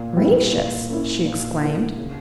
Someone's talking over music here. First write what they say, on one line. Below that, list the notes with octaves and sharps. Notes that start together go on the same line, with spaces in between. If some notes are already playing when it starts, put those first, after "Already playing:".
"Gracious!" she exclaimed.
Already playing: A#2
G3 B3 E4
A#2
A#3 C#4 E4
A#2
A#3 E4
C#3